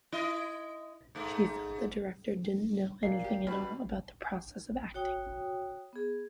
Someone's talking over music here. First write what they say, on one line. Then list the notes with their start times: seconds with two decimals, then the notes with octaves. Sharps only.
She felt the director didn't know anything at all about the process of acting.
0.12 E4 D#5
1.15 G#2 A3
3.03 A#2 C7
3.24 G4
3.47 B2 G3 C#4 B4 B5
4.94 F#4 C#5 G5 D#6
5.93 B3 G#4